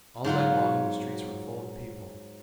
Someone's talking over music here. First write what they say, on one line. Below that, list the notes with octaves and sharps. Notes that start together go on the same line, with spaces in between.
All night long the streets were full of people.
G#2 F#3 F4 F#5